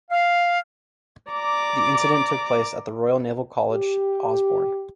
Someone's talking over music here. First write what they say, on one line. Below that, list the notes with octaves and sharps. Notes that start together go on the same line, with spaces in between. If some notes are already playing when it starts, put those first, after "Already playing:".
The incident took place at the Royal Naval College, Osborne.
F5
D5 A#5 D6
G4